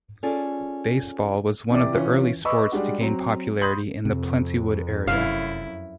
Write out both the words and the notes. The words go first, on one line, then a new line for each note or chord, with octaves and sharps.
Baseball was one of the early sports to gain popularity in the Plentywood area.
C#4 F4 G#4 A4 D5
C3 E3 D5 D6
E3 C#4 F4
B4 D#5 B5 C#6 D6 E6
G3 G#3 D4 F#4
F#3 C4
B5 C6 D#6 G6 F#7
F2 C3
F1 F#2 E4 F5